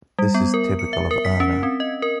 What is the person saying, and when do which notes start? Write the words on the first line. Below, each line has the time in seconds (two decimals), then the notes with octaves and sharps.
This is typical of Erna.
0.19 G3
0.34 B3
0.54 A#4
0.79 C#7
0.93 E5
1.11 A#4
1.25 B6
1.40 C#4
1.63 C4
1.80 D#5
2.02 A#4